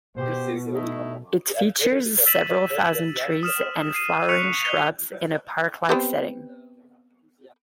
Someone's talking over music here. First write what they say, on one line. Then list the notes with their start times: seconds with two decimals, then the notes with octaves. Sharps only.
It features several thousand trees and flowering shrubs in a park-like setting.
0.16 B2 G4 C5
0.74 A3 D#4 E4
2.26 E6 A6 B6 D#7 E7 F#7
3.43 D#6 F6 E7
3.94 C7 D#7
4.29 C#6 F6 F#6 B6 C#7 F7
4.62 F7 G7
5.89 B3 C4 G4